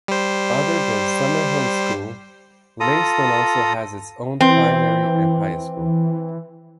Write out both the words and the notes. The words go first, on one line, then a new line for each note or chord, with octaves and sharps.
Other than Summerhill School, Leiston also has its own primary and high school.
G3 C5
F4 A4 A#5 D#6
E3 C4